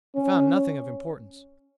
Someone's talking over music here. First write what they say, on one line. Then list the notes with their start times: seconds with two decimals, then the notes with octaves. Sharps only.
They found nothing of importance.
0.16 C#4